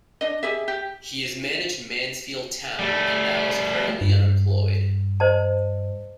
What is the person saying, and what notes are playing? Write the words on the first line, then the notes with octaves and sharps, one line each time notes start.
He has managed Mansfield Town, and now is currently unemployed.
D4 D#5
G4 G#4 E5
G4
G3 A3
G2
C5 D#5 A5